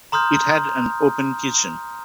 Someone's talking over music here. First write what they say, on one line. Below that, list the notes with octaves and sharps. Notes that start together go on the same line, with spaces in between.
It had an open kitchen.
A#5 C6 D#6 F6 G6